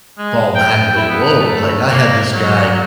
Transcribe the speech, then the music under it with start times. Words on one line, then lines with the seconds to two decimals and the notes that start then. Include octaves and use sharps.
fall back and go, "Woah." Like, I had this guy,
0.18 G#3
0.55 G5
0.95 E4
1.09 B3
1.39 A3
1.91 A#3
2.34 F#3